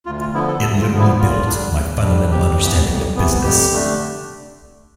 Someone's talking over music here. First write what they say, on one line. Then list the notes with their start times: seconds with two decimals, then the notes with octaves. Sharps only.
It literally built my fundamental understanding of business.
0.06 D2 F4
0.20 F4
0.34 D3 F3 B3 E4
0.48 A4
0.62 D2 A4
0.82 F4
0.90 D3 F3 B3
0.99 E4
1.19 E2 F4
1.46 D3 G3 D4
1.75 E2
2.03 D3 G3 D4
2.30 F2 G4
2.60 C3 E3 B3
2.88 F2
3.16 C3 E3 B3
3.43 F2 G4
3.71 D3 A3 D4